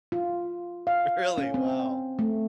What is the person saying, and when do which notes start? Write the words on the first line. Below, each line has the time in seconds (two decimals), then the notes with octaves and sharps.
Really? Wow.
0.12 F4
0.87 F5
1.38 C#4
1.54 C4
2.19 A3